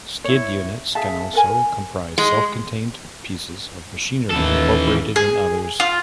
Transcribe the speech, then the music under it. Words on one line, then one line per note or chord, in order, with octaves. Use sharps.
Skid units can also comprise self-contained pieces of machinery incorporated in others.
E4 C#5
G#4 E5 F5 A5
A4 A#4 G#5
G#3
D#2 E3 A4
G#4
F4